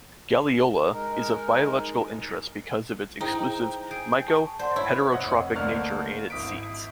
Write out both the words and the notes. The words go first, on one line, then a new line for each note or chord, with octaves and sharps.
"Galeola" is of biological interest because of its exclusive myco-heterotrophic nature and its seeds.
G#3 D#4 A#4
D#4 E4 G#4 C5 G5 A#5
G#4 G6 D7
A5 C#6
C5 D5 F#5 C6
E4 C#5 E6
F1 C#5 D#5 F#5
D2 D3 A#3 D5 F6
G#1 E4 D#6 B6 D7